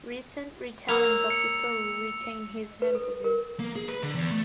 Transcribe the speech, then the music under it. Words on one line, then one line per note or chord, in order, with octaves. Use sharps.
Recent re-tellings of the story retain his emphasis.
A#3 C#5 E6 F7
C#7
B4
A4
A#4
A#3
G#4
B4
D3
E2
A3